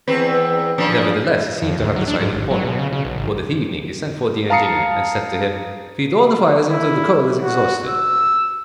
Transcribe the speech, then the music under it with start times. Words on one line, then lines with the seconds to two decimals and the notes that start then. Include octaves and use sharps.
Nevertheless he seemed to have decided upon one, for that evening he sent for the engineer, and said to him, "Feed all the fires until the coal is exhausted."
0.07 E2 C4 B4
0.78 A#2 F3 D4
1.62 F2
1.78 D2
1.96 F#3
2.08 D4
2.20 G#2
2.33 G#1
2.51 F#3
2.64 B2
2.79 C#3
2.93 C#3
3.05 B1
3.17 G#1
4.50 F5 A5 A#5 D#6 C7 C#7
6.69 E4
7.42 F#4
7.86 E6